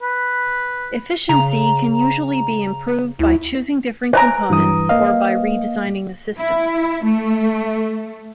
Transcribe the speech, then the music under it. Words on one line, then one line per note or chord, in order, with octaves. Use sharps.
Efficiency can usually be improved by choosing different components or by redesigning the system.
B4
C#3 A#5
D2 E4
B4 G#5 A#5
G2 E3 D#6
A#3 D#5 F5
E4
A3